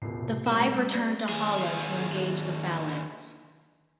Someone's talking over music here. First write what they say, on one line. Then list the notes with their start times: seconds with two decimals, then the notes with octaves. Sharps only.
The five return to Hala to engage the Phalanx.
0.02 E1 C#2 A2 C#3 C7
0.22 C3
0.46 B1 G3 A3 C#4 A#4 F#6 E7
0.73 G3 F#5 D#6 G6
0.95 A#3 C4 D5
1.29 D#2 G#4